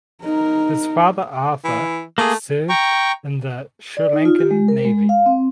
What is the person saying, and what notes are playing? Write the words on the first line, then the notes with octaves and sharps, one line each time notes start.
His father Arthur served in the Sri Lankan Navy.
D#4 A#4
E3
A3 A#3 G#4
G5 A#5 C#6
D5
D#4
F4
G4
G#3
A#4
G#3
F5
C4